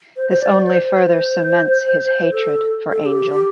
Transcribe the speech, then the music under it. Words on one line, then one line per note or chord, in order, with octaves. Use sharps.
This only further cements his hatred for Angel.
C5
C5
D5
C5
A4
A4
A4
G4